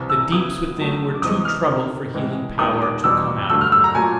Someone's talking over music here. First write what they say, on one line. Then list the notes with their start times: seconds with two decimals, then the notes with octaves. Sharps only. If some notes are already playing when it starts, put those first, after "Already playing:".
The deeps within were too troubled for healing power to come out of them.
Already playing: C2 C3 E3
0.10 E6
0.32 C#3 F#3 B3 E4 D#6
0.77 F#2 D#3 F#3 A3
1.15 D6
1.22 E2 C3 E3 G#3 D#6
1.45 F6
1.68 D2 C3 D#3
2.14 A2 E3 G#3
2.59 D#2 D#3 G#3 B3 D#6
2.82 D6
3.04 E2 B2 G3 E6
3.49 G2 D3 F#3 A3 E6
3.61 F6
3.72 E6
3.84 A#5
3.95 A#2 F#3 A3 C#4 G#5